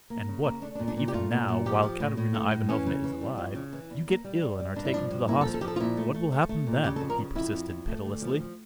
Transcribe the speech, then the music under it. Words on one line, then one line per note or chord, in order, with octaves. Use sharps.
"And, what, if even now, while Katerina Ivanovna is alive, you get ill and are taken to the hospital, what will happen then?" he persisted pitilessly.
A#3
C#3
A#3
A3 D4
D4
A#2
D4
A#2
G4
A3 F4
A#2
A#2
F3 G4
F3
A2
A2
A3
A2
E3 C#4
C#3
E3
G3
F2
C#3
E3
E2
A#3
G3
G3
G3
G2 D4
E4
F3 D4
G2
A#3 E4
A4
F3
A4
F3 G4
A4
F4
A#2 E4
A3
A3
A3
A3
A#2
C#3 G4
A4
F2
A#4
C#3
F2 E4
F2
F2
A3
D2
F3
F3